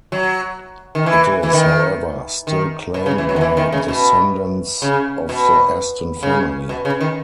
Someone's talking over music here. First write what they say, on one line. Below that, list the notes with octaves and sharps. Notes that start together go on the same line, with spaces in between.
It is, however, still claimed by descendants of the Aston family.
F#3
D#3
E3
E3
D#3
D#3
B2
C#3
E3
F#3
D#3
E3
D#3
C#3
B2
C#3
B2
C#3
B2
C#3
D#3